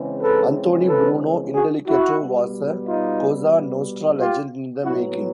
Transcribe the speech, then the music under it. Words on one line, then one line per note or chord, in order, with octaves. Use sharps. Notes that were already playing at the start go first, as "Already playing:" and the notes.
Anthony "Bruno" Indelicato was a Cosa Nostra legend in the making.
Already playing: C#3 E3 G#3 C4
A4 B4
A4 B4
F#4 G#4
E4 F#4
B2 G3 B3
D#4 F4
F4 G4
A2 F#3 B3 E4 F#4